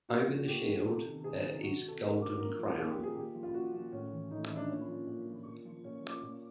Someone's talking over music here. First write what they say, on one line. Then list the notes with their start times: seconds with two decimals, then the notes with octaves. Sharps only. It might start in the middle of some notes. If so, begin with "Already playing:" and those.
Over the shield there is golden crown.
0.09 A#2 F#4
0.28 F3
0.47 A#2 G4
0.67 F3
0.86 C3 A4
1.05 D#3
1.24 C3 G#4
1.43 D#3
1.62 B2 F#4
1.88 A4
2.01 B2 A#4
2.39 A#2 A#4
2.59 F3
2.77 A#2 G#4
2.90 G4
2.96 F3
3.03 G#4
3.15 A#2 G4
3.35 F3
3.43 F4
3.54 A#2 F#4
3.74 F3
3.92 A2 C#4
4.11 E3
4.31 A2 D#4
4.43 E4
4.50 E3
4.56 D4
4.69 A#2 C#4
4.88 F3
5.07 A#2
5.27 F3
5.46 A#2
5.65 F3
5.84 A#2 C#4
6.03 F3
6.23 A#2